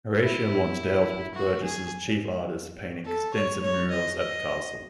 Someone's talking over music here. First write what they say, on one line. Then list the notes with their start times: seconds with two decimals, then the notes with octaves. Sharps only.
Horatio Lonsdale was Burges's chief artist, painting extensive murals at the castle.
0.22 E4
1.35 F#4
1.63 G#4
3.05 A4
3.34 C#5
3.62 C#5
3.90 D#5
4.18 D#5